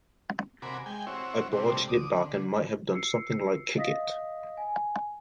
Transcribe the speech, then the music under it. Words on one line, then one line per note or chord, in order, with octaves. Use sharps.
I barged it back and might have done something like kick it.
C3 F#4 A#4 G#5 B5 D6
G#3 G5 G#5
C4 E4 F#4 C#5
A2 C3 G3 C4 D4
D2 D6 D#6
D3
E6 C7 C#7
D#5 F5 D#6 A#6 B6
G#5